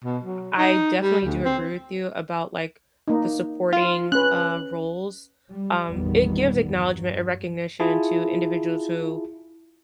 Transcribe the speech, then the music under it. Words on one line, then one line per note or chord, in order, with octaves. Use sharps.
I definitely do agree with you about, like, the supporting, uh, roles. Um, it gives acknowledgement and recognition to individuals who
B2
F#3
D#4
G3
D2
C4
A#3 D#4
F4
C#4 B4 F#6
G3
G#1 E2 A#2 D#3 G3 B3
G2 F#3
E4 F4 G#4 A5